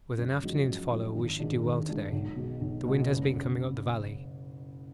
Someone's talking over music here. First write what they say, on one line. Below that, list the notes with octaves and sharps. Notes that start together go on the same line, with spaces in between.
With an afternoon to follow we should do well to-day; the wind has been coming up the valley.
F#2
F3 G#3 D#4 F#4
F#2
F3 G#3 D#4 F#4
G#1
G#2 D#3 G#3 D4
G#1
G#2 D#3 G#3 D4
B1
B2 G#3
B1
B2 G#3
F#1